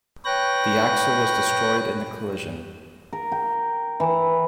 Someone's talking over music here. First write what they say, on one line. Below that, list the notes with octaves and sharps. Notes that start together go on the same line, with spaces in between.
The axle was destroyed in the collision.
B4 C#5 G5 F#6 A#6
A#4
G5
E3